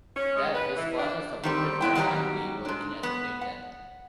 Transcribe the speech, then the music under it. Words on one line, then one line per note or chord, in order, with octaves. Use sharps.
There his father supported the family working as a painter.
C#4
G#3
B4
E3
D4
D#3 G3 C4
C3 B3 E4 G5
D#3 F#3 G3 D5 A#5
G#2 D4
B3
F#5